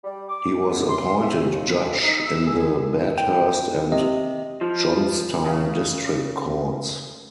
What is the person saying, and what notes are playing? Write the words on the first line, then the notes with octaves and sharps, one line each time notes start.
He was appointed judge in the Bathurst and Johnstown District courts.
G3
D6
F#2
C6
E5
D#2
D2
D#4
E6
G#4
G5
C3 D#5
F3
C#3